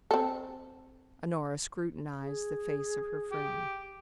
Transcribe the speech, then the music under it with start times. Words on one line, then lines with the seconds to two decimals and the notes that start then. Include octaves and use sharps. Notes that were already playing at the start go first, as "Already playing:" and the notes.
Honora scrutinized the face of her friend.
0.11 C4 A4
2.21 G#4
3.32 G4